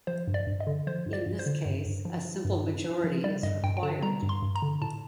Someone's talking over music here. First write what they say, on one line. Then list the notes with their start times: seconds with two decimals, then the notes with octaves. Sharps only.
In this case, a simple majority is required.
0.07 F3 C5
0.27 G2
0.34 D5
0.47 G2
0.60 D#5
0.67 D3
0.87 F3 C5
1.06 G2
1.13 D5
1.26 G2
1.39 C5
1.46 D3
1.66 G2
1.86 G2
2.05 F3
2.25 F3
2.45 G2
2.64 G2
2.84 F3
3.04 F3
3.24 G3 D5
3.43 G2 D#5
3.63 G2 G5
3.77 G5
3.83 D3 A5
4.03 G3 A#5
4.22 G2
4.29 C6
4.42 G2
4.56 A#5
4.62 D3
4.82 A2 A5